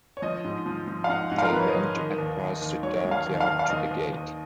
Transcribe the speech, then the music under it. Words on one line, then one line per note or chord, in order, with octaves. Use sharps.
They went across the dark yard to the gate.
C#5
F3 D#5
G#2
F3
F3
F5
G#2 F#5
G#2 F#5
F5
A#4
F3 B4
C#5
D#5
F3
D#3
D#2
D#2
D#2
F#3 C#5
F#3
F5
D#2
F5
D#2
F5
D#2 D#5
D#2
D#2